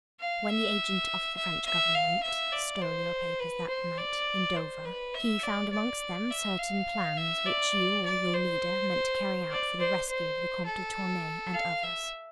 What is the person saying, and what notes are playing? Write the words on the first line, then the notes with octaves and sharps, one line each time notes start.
When the agent of the French Government stole your papers that night in Dover, he found amongst them certain plans, which you or your leader meant to carry out for the rescue of the Comte de Tournay and others.
F5
E5
E5
E5
F5
E5
D5
C5
B4
C5
D5
C5
B4
E5
D5
D5
E5
F5
E5
D5
D5
C5
D5
C5
C5
A4
F5
E5